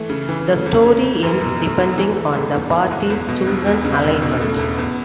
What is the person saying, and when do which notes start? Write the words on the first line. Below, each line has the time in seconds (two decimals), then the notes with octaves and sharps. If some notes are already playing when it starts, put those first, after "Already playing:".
The story ends depending on the party's chosen alignment.
Already playing: E3 A3
0.10 C#3
0.29 E3
0.47 A3
0.66 E2
0.85 C#3
1.04 A3
1.23 F#2
1.41 B2
1.60 A3
1.78 E2
1.97 E3
2.16 A3
2.35 A2
2.54 E2
2.73 E3
2.91 F#1
3.10 E2
3.29 B2
3.47 E1
3.66 E2
3.85 C#3
4.03 E1
4.22 B2
4.41 A3
4.59 E2
4.78 E2